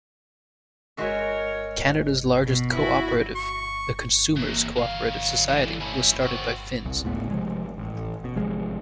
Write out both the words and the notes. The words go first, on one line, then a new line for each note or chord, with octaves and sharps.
Canada's largest co-operative, the Consumers' Co-operative Society, was started by Finns.
G#3 F#4 A#4 C#5 E5
B2
E4 F#4
C#6
E3 A#3
D3 F5
D3 E3
C#4 E4
C4 F#4
C2
D1 C#2 A2 B3
C3 F3 G#3
A1
B2
G#1 C3 F3 G#3